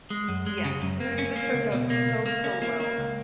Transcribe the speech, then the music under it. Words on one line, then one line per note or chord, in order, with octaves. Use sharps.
yes, eh, 'cause it turned out so, so well.
G#3
F#2
G#3
C#3
F#2
A#3
C#4
A#3
C#2
B2
A#3
C#2
A#3
C#4
A#3
A#3
C#2